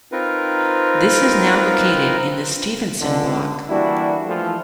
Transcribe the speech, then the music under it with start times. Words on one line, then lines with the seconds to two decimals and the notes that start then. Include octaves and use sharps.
This is now located in the Stephenson Block.
0.12 C4 D#4 F4 A#4 B4
3.01 C#2 D3
3.69 E3 G3 A#3 D4 E4 F#4
4.27 E3 F3 A3 E4 A4